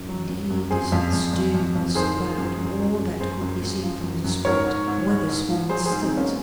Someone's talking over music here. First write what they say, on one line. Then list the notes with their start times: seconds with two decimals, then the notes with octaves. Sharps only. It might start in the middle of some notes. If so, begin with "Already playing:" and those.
Indeed, this stoop was about all that could be seen from the spot where this woman stood.
Already playing: F#2
0.09 F#3
0.30 F#2
0.50 F#2
0.71 F2 G#4 C5
0.92 F2
1.13 F2
1.33 F2
1.54 F2
1.76 F2
1.95 D#3 G#4 C5
2.17 D#3
2.38 F#2
2.58 F#2
2.79 F#3
2.99 F#2
3.20 F#2 G#4 C5
3.41 F#2
3.63 F#2
3.83 F3
4.04 F#2
4.24 F#2
4.45 G#2 A#4 C#5
4.66 G#2
4.87 G#2
5.08 G#2
5.29 G#2
5.49 F3
5.69 F#3 G#4 C5
5.86 G#4 C5
5.91 G#2
6.01 C4 D#4
6.12 F#3
6.17 A#3 C#4